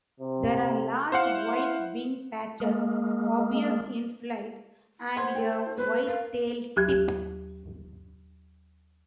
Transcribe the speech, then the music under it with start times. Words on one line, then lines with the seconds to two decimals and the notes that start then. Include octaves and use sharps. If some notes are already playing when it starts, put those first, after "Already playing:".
There are large white wing patches obvious in flight, and a white tail tip.
0.20 C3
1.12 E4 C5 F5 F#5
2.60 G#3 A#3
5.16 C5 F#5 C6 G#6
5.35 A4 G5
5.77 B3 B4 C5
6.07 A#4 F5
6.76 D#2 F#3 G4 F#6 G#6